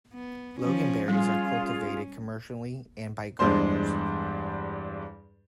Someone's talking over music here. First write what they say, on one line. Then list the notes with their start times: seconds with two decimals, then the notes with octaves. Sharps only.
Loganberries are cultivated commercially and by gardeners.
0.14 B3
0.60 F3 C#4
1.08 G3 C#4 F4 G#4
3.39 E2 G2 G#3 D4 C5 C6